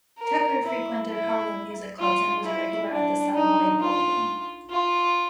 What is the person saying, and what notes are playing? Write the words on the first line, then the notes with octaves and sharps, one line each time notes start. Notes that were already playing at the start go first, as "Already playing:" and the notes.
Tucker frequented Harlem music clubs and was a regular at the Savoy Ballroom.
A#4
E4
E4
F4
E4
D4
D#4
F4
F4